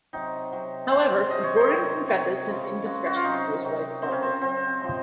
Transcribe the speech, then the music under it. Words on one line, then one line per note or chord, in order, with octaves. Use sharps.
However, Gordon confesses his indiscretion to his wife Barbara.
C3 F#3 D#4
C3 F#3
C3 F#3 C5
C3 F#3 D#5
C#5
C5
C3 D#3 F#3 C#5
C3 D#3 F#3 C#5
C#3 G#3
C#3 G#3 F#4
F#4
F4
C3 F#3 D#4
C3 F#3
C#3 F#3 C4
C#4
C4
C#3 F#3 C4
C3 F3 G#3